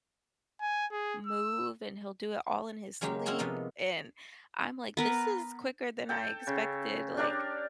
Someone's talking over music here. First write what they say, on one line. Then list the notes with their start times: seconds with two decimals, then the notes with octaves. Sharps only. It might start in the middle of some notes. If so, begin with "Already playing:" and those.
move, and he'll do it all in his sleep, and I'm like, this is quicker than I expected, like
0.61 G#5
0.92 G#4
1.27 E6
3.01 C#3 F#3 G#3 A#3 G4
3.26 C4 C#4 E4 F#4 G#4 C#5
3.39 C3 F3 A#3 B3 D#4
4.97 B3 A#4 B4
6.09 A4 G5
6.47 C#3
7.17 D4 G4 A#4 D5